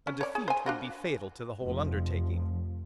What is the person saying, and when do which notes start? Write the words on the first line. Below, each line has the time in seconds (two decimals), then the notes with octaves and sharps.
A defeat would be fatal to the whole undertaking.
0.07 C#4
0.21 C#5 D5
0.35 G#4
0.48 C5 G#5
0.66 D4 F4 F#4
1.63 F1 F3